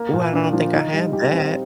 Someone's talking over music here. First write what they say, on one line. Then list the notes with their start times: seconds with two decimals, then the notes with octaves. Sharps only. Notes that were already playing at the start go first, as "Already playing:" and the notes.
Ooh, I don't think I had that.
Already playing: A#3
0.13 A#2
0.33 D4
0.53 F3
0.73 D#4
0.93 G3
1.13 G4
1.33 C4